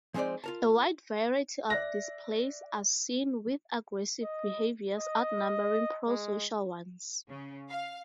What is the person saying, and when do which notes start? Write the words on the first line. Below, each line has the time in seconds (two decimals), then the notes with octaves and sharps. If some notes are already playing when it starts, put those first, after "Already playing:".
A wide variety of displays are seen, with aggressive behaviours outnumbering pro-social ones.
0.14 F3 G#3 C4 D#4 C5 D5
0.44 F4 A#4 A5
1.70 D5 E5 F#6 A#6
4.22 D#5
4.97 D#5
6.07 G#3
7.28 C#3
7.69 F5